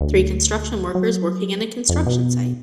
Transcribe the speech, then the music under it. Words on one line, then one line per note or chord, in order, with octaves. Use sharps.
Three construction workers working in a construction site.
D2
F#3
F2
B2